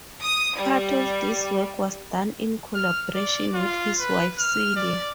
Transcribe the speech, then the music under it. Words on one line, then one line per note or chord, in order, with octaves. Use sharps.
Part of this work was done in collaboration with his wife, Celia.
D#6
G3
F6
D5
F4
B4
F6
D5